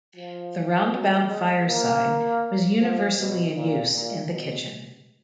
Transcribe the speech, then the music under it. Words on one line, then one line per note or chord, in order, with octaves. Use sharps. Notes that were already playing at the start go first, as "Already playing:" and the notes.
The roundabout fireside was universally in use in the kitchen.
F3
F#3
G#3
A#3
F3
B2
A#2
A#2
B2